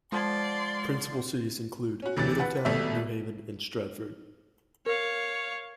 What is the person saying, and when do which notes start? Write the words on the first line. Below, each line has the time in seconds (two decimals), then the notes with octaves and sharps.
Principal cities include: Middletown, New Haven, and Stratford.
0.12 F3 G#3 D5 F#5 C6 G#6
2.02 C#4 F#4
2.17 D2 C3 E3 A6
2.40 B4 F#5
2.65 G#1 B2 G3 A3 E5
4.86 A#4 C#5 F5